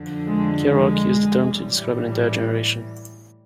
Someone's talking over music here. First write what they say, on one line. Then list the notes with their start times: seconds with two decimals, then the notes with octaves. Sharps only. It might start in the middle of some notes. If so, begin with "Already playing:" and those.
Kerouac used the term to describe an entire generation.
Already playing: F2 D3 F3
0.28 G#3
0.70 G#3
1.53 A2 E3 G3